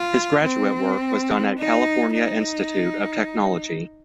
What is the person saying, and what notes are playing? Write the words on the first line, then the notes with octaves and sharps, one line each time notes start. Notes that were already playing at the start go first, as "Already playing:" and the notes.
His graduate work was done at California Institute of Technology.
Already playing: F4
C4
D#4
D#4